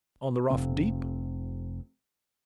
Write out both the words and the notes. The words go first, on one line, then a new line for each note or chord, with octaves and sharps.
'On the rough deep.
F1 C3 C4